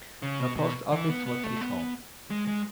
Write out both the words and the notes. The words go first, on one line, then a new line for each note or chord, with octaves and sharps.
The post office was his home.
C#3
B2
B2
E3
B3
B3
A3
B3
G#3
G#3